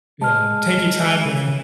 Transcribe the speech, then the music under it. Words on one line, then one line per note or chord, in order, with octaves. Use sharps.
yeah, take your time with him.
G#3 A5 F6
C#3